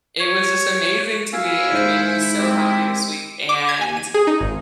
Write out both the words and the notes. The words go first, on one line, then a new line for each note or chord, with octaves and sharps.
it was just amazing to me, and it made me so happy this week, and,
C#5
E4 F#4 F5 G#5 E6
G#2 C5
G#3 C4 G4
D6
G#6
G#5
D#7
G#4
D#4
G#1